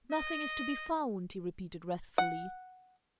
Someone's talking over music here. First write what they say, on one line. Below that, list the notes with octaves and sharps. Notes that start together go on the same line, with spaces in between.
"Nothing is to be found!" he repeated wrathfully.
D#5
F#5